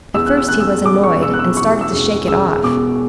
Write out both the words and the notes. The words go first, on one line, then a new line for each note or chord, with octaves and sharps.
At first he was annoyed and started to shake it off.
E2 E6
F#6
E6
E1 F#6
E6
E1 D6
C#6
B2 E6
F#6
E6
E2 C#6
E6
E1
E1 E6
B2 D6